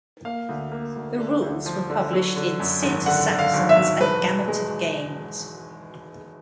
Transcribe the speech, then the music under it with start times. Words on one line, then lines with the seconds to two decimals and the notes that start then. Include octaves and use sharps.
The rules were published in Sid Sackson's "A Gamut of Games".
0.25 A#3 F5
0.49 D2
0.72 A#3
0.96 D2
1.18 D3
1.42 D2
1.66 F3
1.90 D3
2.13 F#3
2.36 D3
2.60 F#2
2.83 G#1
3.06 D3 F#5
3.30 D3
3.39 F5
3.54 G#1
3.69 E5
3.77 F#3
4.01 E1 B4
4.23 E1
4.48 G#3